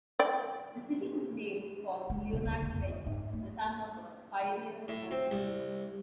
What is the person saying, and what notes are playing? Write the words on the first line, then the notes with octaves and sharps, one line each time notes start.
The city was named for Leonard French, the son of a pioneer merchant.
D5 G5
G#3
B2
D2
D2
F2
G#2
A3
A2
C4
C2